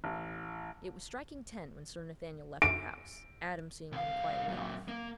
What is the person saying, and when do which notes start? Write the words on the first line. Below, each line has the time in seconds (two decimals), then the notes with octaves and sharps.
It was striking ten when Sir Nathaniel left the house, Adam seeing him quietly off.
0.04 A1
2.62 D7
3.92 C2 F5
4.48 F#2 A#2
4.88 A#3